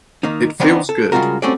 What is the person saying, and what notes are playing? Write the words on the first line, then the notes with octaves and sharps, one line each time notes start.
It feels good.
D#3 A#3 D#4
D3 E3 B3 C4 D4 D#4
A4
C#3 G3 G#3 F4 F#4 A#4
G3 A3 C4 C#4 F#4 D5